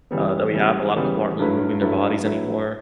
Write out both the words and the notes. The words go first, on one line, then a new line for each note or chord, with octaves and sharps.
uh, that we have. A lotta people aren't really moving their bodies anymore.
C#3 E3 G3 B3
C#3 E3 G3 B3
C#3 E3 G3 B3
G2 F#3 A3 E4 B4
G2 F#3 A3 E4 B4
G2 F#3 A3 E4 B4